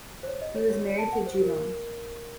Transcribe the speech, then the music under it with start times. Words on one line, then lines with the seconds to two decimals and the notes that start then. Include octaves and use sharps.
He was married to Judon.
0.23 C5
0.27 C#5
0.42 D#5
0.55 C#5
0.70 C#5
0.84 C#5
0.98 A5
1.13 F#5
1.26 C5
1.41 A#4